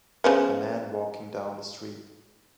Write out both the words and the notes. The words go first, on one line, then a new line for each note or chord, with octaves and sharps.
A man walking down the street.
C#3 F3 B3